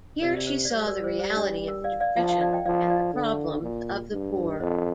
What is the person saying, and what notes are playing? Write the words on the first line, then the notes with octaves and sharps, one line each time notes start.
Here she saw the reality of the Depression and the problems of the poor.
C3 A#4 D5
D5
C5
D5
G3 C5
A#4 D5
C5
C5
D4
A#4
D5 F5
D5 F5
F3 F5 A5
F5 A5
D5 F5
D#5 G5
F3 D5 F5
D5 F5
D3
A#2
G2
F2 C5 D#5